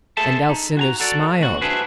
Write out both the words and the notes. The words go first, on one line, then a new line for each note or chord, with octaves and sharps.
And Alcinous smiled.
G#4 A4 C5 E5 A5
D#4
F#4 G#5 A#5
F#4 A4 D5
C#2 A#2 F#4
D4 E4 F#4 G#4 B4 C5